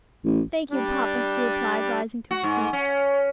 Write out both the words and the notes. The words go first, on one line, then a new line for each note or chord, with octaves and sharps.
"Thank you, papa," she replied, rising to her feet.
A1
G3 D4
F#4
G#2
C#4